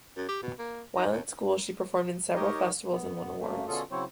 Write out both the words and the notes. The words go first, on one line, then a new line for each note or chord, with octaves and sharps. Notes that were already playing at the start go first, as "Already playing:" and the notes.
While in school she performed in several festivals and won awards.
F#2
G4
B2
A#3
D#4
D#2
D#4 G4 A#4 C#5 D#5
B3
F#2 A3 A#3
B2 D3 C#4 F4 G#4 A4
C#3 F#3 C4 E4 C5 C#5